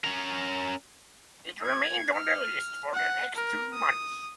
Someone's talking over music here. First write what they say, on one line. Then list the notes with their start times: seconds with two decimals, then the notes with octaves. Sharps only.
It remained on the list for the next two months.
0.05 C#4 A#4
1.65 G#6
2.14 F6
2.94 F#5
3.35 A#4
3.73 D#6